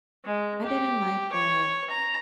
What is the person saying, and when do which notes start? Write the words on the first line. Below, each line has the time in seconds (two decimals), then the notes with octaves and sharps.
I didn't like that.
0.25 G#3
0.63 G4
1.32 C#5
1.90 A#5